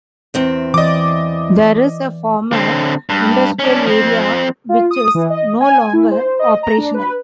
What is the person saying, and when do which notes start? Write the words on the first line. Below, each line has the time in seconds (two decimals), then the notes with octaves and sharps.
There is a former industrial area which is no longer operational.
0.34 E2 C4 E5
0.74 E3 D5 D#5 D6
2.53 D3 C4
3.09 G2
3.59 C#4 D4
3.86 F3 C4
4.69 F4
4.91 D#6
5.15 E3
5.30 D#5
5.61 G#5
5.93 E4
6.11 C5
6.39 D#5
6.63 A#5
6.78 D4
6.94 B4